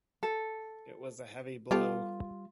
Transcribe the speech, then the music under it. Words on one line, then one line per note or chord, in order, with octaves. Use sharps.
It was a heavy blow.
A4
G3 B3 F4 G4 A4